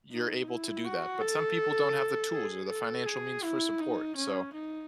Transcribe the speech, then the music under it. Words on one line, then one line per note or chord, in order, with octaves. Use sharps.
you're able to do that. But some people don't have the tools or the financial means for support. So,
D#4
E4
F#4
A4
G#4
A4
G#4
E4
D#4
C#4
D#4